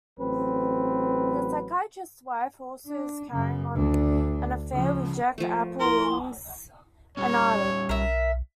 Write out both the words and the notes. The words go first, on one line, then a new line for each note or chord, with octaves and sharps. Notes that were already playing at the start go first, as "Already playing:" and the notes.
The psychiatrist's wife also is carrying on an affair with Jac Applezweig, an artist.
A1 F#3 C4 B4
D4
F#2 C#3
D2 D4
C#3 F3
F3 A3
E4 A#4 C6
G3 C#4 C#5
B1 A#4 E5